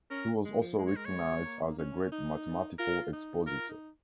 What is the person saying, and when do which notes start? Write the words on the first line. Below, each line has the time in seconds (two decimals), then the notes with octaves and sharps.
He was also recognized as a great mathematical expositor.
0.10 C#4 A#4
0.45 G#3
0.61 F3
0.78 G#3
0.87 C#5
0.96 A#4
1.05 C#5
1.30 F3
1.37 G#3
1.45 A#3
1.79 C#4
2.12 D#4
2.79 F4 A#4
3.13 D#4
3.46 F4 A#4
3.69 D#4